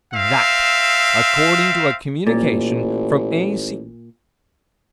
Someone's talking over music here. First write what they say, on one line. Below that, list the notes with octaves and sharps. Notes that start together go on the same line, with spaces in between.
That, according to a communication from A.C.
C4 E5 F5
A1 A#2